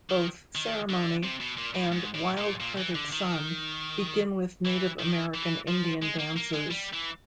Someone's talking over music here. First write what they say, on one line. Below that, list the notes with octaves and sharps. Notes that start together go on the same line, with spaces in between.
Both "Ceremony" and "Wild Hearted Son" begin with Native American Indian dances.
D#3
D#3
D3
C3
B2
A#2
A2
G#2
A2
A#2
A#2
E3
D3
D#3
E3
D#3
E3
F3
G#3
A#3
A#3
G#3
G3
E3